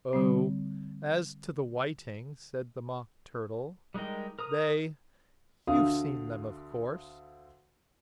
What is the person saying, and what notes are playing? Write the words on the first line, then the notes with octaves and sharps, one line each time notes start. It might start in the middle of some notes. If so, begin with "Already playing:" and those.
'Oh, as to the whiting,' said the Mock Turtle, 'they--you've seen them, of course?'
D3 G3 C4
G3 G#3 D#4 A#4 G5
A#4 A#5 D#6
D2 D3 F5 D#6